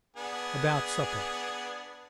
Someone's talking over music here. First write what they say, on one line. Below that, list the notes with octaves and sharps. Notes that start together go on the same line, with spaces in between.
"About supper."
B3 D4 G#4